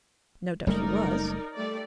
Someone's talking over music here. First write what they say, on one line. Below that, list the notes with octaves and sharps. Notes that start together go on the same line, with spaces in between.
"No doubt he was."
F#1 G3 A3 D#4 A#4 D5
G3 A3 D5